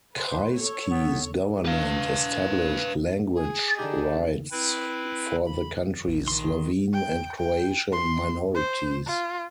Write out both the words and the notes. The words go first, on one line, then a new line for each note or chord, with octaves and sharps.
Kreisky's government established language rights for the country's Slovene and Croatian minorities.
B4 C5
A4 C#5
B3
B4 F5
G#4
D3 D4 D#4 G4
C4 E4 B4
B5
A#1
D#3 C6
G5
G5
C6
C5
F4